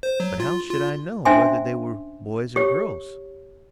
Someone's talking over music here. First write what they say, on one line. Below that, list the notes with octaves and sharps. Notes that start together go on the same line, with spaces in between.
"But how should I know whether they were boys or girls?"
C5
F#3
F4
F4
C#4 D4 C5 E5 G#5 C6
G4 C#5